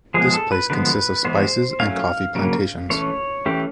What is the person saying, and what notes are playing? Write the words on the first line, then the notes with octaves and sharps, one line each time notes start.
This place consists of spices and coffee plantations.
F3 G#3 B3 G#4
A4
B4
D3 F3 G#3 B3 B4
E3 G#3 B3 C5
F#3 A3 C#4 F5
C#3 F#3 A#3
E3 A3 C#4 C#5
E3 A3 C#4 G4